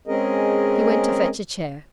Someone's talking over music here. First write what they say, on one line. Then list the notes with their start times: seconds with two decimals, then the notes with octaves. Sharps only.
He went to fetch a chair.
0.08 G#3 C4 C#4 G#4 A#4 D#5